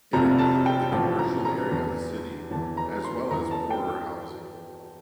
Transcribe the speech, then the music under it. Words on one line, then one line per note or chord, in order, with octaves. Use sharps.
It included the commercial area of the city, as well as poorer housing.
F1 F2 C3 F3 A#5
A5
G5
A1 A2 F3 A5
A#5
A#5
E2 E3 A5
E2 E3 A5
A#5
C6
E2 E3 A#5
A5
G5